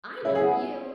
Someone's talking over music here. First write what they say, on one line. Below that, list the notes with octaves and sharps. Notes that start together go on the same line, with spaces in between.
"I know you!"
C#3 E4
G#4
B3